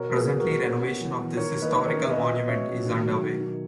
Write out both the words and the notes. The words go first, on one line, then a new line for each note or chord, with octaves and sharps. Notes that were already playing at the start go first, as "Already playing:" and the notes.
Presently renovation of this historical monument is underway.
Already playing: B2 A#4 C#5
A#3
G#4 B4
A#3
F#4 A#4
B2
B3 A#4 C#5
B3
E3
E3
D#3 A#4 C#5
A#3
B4 D#5
D#3
A#4 C#5
C#4
E5
B2 B4 D#5
B2
C#4 C#5 E5
B2
D#3
F#3
D#3
D#3